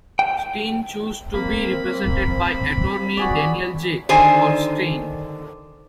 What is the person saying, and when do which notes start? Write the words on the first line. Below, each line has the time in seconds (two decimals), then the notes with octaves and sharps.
Steyn chose to be represented by attorney Daniel J. Kornstein.
0.19 G5
1.34 A#3 C4 B5
3.17 F#4 G#4 D5
4.09 D3 D#3 C5 G#5